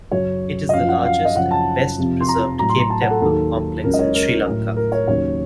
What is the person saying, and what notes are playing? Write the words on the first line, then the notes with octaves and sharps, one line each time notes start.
It is the largest and best preserved cave temple complex in Sri Lanka.
F#2 C#3 F#3 C#5
D#5
F#2 F3 F5
F#5
F5
D#5
F#2 C#3 F3 F#5
A5
F2 C3 F3
C6
A#5
A2 F#3 A#5
C6
A#5
A5
F#5
A4
D#2 D#3 F#3 A4
C#2 C#3 F#3 A#4
D#5
C#5
A#4
A2 F#3
A#4
C#5
D#2 C#3 F#3 C#5